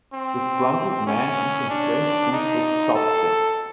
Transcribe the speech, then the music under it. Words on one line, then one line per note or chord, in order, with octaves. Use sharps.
Disgruntled man eating strange food with chopsticks.
C4
C#4
D4
D#4
A4